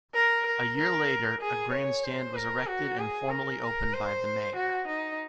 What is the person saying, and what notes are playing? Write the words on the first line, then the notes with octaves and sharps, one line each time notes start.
A year later a grandstand was erected and formally opened by the Mayor.
A#4
A#4
A#4
G#4
C#5
C5
A#4
F#4
G#4
A#4
A#4
C5
F#4
D#4